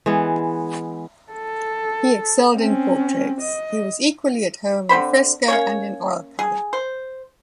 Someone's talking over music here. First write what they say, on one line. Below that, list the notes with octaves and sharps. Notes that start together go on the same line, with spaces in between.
He excelled in portraits; he was equally at home in fresco and in oil-color.
E3 G#3 B3
A4
C4 C#4
D#5
D3 C4 C5 B5
A#3 C#4 C#5
G#4
C5